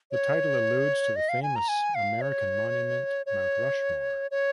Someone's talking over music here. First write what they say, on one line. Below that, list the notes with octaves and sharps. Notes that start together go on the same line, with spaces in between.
The title alludes to the famous American monument Mount Rushmore.
C#5
D#5
F5
G#5
A#5
G#5
F5
C#5
C#5
C#5